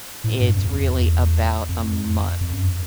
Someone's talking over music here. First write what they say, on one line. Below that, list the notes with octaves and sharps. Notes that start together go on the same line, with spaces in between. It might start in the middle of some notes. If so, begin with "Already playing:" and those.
it's really about a month.
A2
G2
F2
E2
F2
F2
F#2